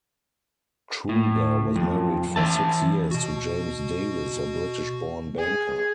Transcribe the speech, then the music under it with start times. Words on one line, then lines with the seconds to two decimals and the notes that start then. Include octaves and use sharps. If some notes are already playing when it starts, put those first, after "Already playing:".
Kruger was married for six years to James Davies, a British-born banker.
1.09 A2
1.76 F2
2.36 E3 G3 E5 A5
3.11 B2 F#4
5.38 G#4